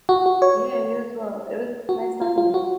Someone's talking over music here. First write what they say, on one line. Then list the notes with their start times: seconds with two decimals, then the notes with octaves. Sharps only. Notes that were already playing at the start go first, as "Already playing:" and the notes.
Yeah, you as well. It was nice talking to you.
0.09 F#4
0.26 F#4
0.42 C#5
1.89 F#4
2.21 F4
2.38 F4
2.54 F#4